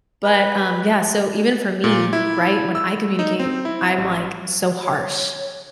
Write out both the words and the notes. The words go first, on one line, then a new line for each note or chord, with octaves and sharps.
but, um, yeah, so even for me, right, when I communicate, I'm, like, so harsh,
B4
A#2
E4
E6
D#4
C4
E4
A1
C#5